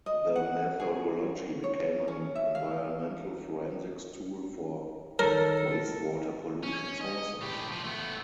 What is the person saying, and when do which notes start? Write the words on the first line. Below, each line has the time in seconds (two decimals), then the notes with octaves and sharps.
The methodology became an environmental forensics tool for wastewater pollution sources.
0.06 D#5
0.35 F#5
0.80 G#4
1.64 C#5
2.08 C#4
2.35 E5
2.55 F5
5.19 D#3 A4 A#4 C#5
6.63 C#4
7.01 D#5
7.42 A2 G4
7.72 F3
7.84 A3 B3